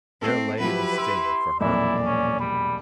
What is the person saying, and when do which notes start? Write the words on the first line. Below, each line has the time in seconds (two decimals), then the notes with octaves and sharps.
There lay the sting for her.
0.22 A3 C4 E6 C7
0.60 F3 F#3 E4 G4 B4
0.98 C6 E6
1.60 E1 B1 F2 A#2 E4 D5
2.06 C#4
2.40 G3 B5